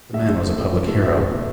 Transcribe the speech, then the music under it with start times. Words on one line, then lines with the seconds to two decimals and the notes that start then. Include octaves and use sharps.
The man was a public hero.
0.13 A3 E5
0.29 A3
0.43 C3
0.58 F3
0.73 F3
0.88 A3
1.01 B2 E5
1.17 A3
1.31 B2